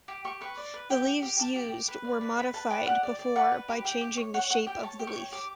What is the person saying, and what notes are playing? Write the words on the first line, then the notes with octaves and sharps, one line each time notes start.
The leaves used were modified before by changing the shape of the leaf.
G4
G4 C#6
B4 C#6
D5
B4
G4 G5
G4
G4
G4 A5
G4
G4
B4
D5
B4
B4 B5
B4 A5
D5 G5
G4 F#5
D5
D5
B4 F#5
B4
G4
G4 G5
G4
C#5
C#5 F#5
C#5 F#5
G4 G5
C#5 A5
G4
C#6
C#5
G4 D6